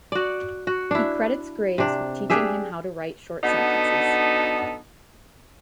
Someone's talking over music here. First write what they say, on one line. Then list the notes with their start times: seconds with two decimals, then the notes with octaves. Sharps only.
He credits Graves with teaching him how to write short sentences.
0.12 F#4 D5
0.67 F#4
0.91 D4 E4
1.78 C3 D4
2.30 D4 G4 G#4 E5
3.43 B3 D4 D#4 F#4 A4